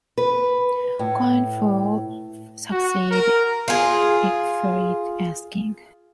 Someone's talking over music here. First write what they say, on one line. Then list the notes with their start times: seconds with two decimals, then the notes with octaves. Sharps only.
Coenwulf succeeded Ecgfrith as king.
0.18 B4
0.99 A2
2.71 F#4
3.11 A#4
3.68 F4 G#4